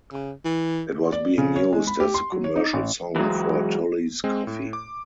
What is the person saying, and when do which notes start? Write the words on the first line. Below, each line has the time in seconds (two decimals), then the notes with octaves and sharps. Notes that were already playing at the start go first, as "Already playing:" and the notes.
It was being used as the commercial song for Tully's Coffee.
0.12 C#3
0.45 E3
1.12 D5
1.38 C#3
1.56 C#5
1.73 G#3
1.87 B5
2.00 G4
2.14 C6
2.32 F#3
2.44 C#5
2.56 D#4
2.73 A1
3.16 E3 F#3 G#3
4.24 G#3 C4
4.47 A2
4.73 D6